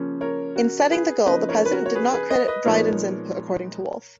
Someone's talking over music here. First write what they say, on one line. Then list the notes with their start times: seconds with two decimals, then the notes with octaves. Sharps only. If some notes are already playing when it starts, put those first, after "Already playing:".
In setting the goal, the president did not credit Dryden's input, according to Wolfe.
Already playing: C#3 F3 A#3 C#4
0.21 A#4 C#5
0.56 F#4 A#4
0.91 G#4 B4
1.26 C#3 F3 A#3 D#4 B4 D#5
1.49 A#4 C#5
1.65 B4
1.72 F#4 A#4
1.86 C#5
1.95 G#4 B4
2.12 G#4 B4
2.30 B4 D#5
2.48 B4 D#5
2.65 A#2 F3 G#3 B3 D#4 A#4 C#5